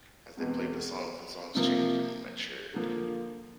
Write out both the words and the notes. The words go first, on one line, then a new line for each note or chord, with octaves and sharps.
As they played the songs, the songs changed and matured.
E2 B2 G#3 C4
C3 F3 A#3
D3 F3 A#3